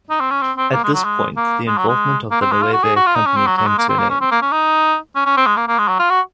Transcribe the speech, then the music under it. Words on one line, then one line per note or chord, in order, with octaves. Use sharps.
At this point the involvement of the Loewe company came to an end.
D#4
C4
C#4
C4
C4
A#3
G#3
F#3
G#3
A#3
G#3
F#3
G#3
A#3
C4
G#3
F4
F#4
G#4
F#4
F4
D#4
C#4
C4
F#3
F#3
G#3
A#3
C4
A#3
C#4
C4
A#3
C#4
D#4
C#4
C#4
C4
G#3
A#3
A#3
G#3
F#3
F4
F#4